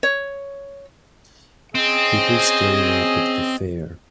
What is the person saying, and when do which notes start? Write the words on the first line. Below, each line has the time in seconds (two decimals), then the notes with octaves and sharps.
People staring up at the fair.
0.03 C#5
1.75 C4 C#4 G#4 D#5